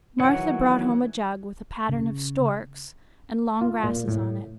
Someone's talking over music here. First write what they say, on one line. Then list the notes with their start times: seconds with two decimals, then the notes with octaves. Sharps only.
Martha brought home a jug with a pattern of storks and long grasses on it.
0.20 D#3 E3 F#3 C#5 F#5
1.89 C#3
3.61 F4
3.84 A#2
4.08 A2